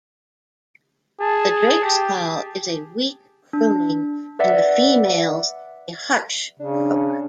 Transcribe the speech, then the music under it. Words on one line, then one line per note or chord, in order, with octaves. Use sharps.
The drake's call is a weak crooning, and the female's a harsh croak.
G#4 A5
G4
D4
B4 D5 E5 F#5
C#3 D4